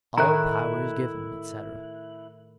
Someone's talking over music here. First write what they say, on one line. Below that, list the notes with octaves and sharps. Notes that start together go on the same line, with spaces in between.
"All power is given," etc.
A2 D#3 E4 A#5 F#6